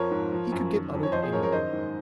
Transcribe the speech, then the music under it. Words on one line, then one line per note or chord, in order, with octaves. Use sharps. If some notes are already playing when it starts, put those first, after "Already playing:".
He could get on with anyone.
Already playing: F2 F3 A#4 C#5
G#2
F3
F#2
D#3
F2
C#5
F3 C5 D#5
G#4 C5
F#2 A#4 C#5
A#4 C#5
D#3 C5 D#5
G#2